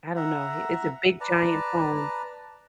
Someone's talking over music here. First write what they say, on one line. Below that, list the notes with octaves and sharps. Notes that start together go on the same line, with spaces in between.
I don't know h it's a big giant phone.
E5 F#5 A#5
B4 D5 A5 A#5